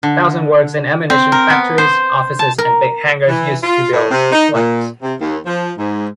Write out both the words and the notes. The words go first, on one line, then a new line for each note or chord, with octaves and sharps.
Thousands work in ammunition factories, offices and big hangars used to build planes.
D3
C4
A#4
B3
C5
A5
A#4
E3
F4
A2
C3
D#4
A#2
C3
D#2
F3
G#2